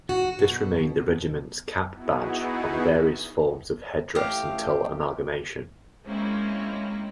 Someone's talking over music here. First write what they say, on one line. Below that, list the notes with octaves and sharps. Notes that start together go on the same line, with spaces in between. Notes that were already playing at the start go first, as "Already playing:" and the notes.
This remained the regiment's cap badge on various forms of head-dress until amalgamation.
F#4
B2
B3 D#4 E4 F#4 G#4
A1 A2 A3 G4 F5
G#3 A#3 C4 C#4 D#4 E4